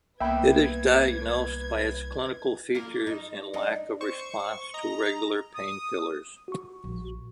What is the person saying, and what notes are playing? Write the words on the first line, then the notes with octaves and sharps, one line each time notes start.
It is diagnosed by its clinical features and lack of response to regular painkillers.
C2 A#3 B3 B4 E5 G5 B5 G#6
A#3 F4 A#4
D#4
D4 D#4
C5 C#6
D#5 A#5
D#6
F#4 C#6
A#1